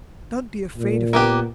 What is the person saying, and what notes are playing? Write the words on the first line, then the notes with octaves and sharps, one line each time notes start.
Don't be afraid of me.
A#2
A#3 B3 G4